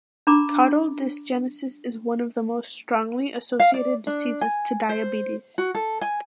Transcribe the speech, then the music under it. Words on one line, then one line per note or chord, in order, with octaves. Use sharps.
Caudal dysgenesis is one of the most strongly associated diseases to diabetes.
D4 A#5 B5 D6
F5
D5
D4
G#5
C5
F#4
A4
G#5